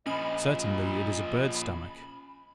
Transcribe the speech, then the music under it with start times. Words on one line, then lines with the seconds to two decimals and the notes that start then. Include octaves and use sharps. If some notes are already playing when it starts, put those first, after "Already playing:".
Certainly it is a bird's stomach.
0.06 A#2 F3 C#4 D#5 B5